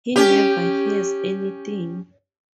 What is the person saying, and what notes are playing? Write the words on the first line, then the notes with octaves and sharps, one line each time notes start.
He never hears anything.
C#4 G4